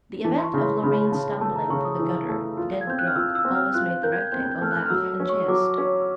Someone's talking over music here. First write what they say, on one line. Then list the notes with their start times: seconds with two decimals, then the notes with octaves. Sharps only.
The event of Loreen's stumbling through the gutter dead-drunk always made the Rectangle laugh and jest.
0.24 E3 A5
0.38 C6
0.44 C#6
0.54 C#3
0.63 C6
0.83 C#3 B5
1.12 C#3 A5
1.41 A3 A5
1.56 A#5
1.70 C#3 C#6
1.85 D#6
1.99 E3
2.29 A3
2.57 F4
2.81 G#6
2.87 C4 G6
2.99 F#6
3.07 F6
3.16 F4 E6
3.35 E6
3.45 C4
3.55 F6
3.74 F4 F#6
4.03 A#4 G6
4.12 G#6
4.21 G6
4.32 C4 G6
4.52 G6
4.61 A3 F6
4.71 F#6
4.86 F6
4.90 F#3 E6
5.20 C#4
5.29 C#6
5.48 F#3 D6
5.78 C#4 C#6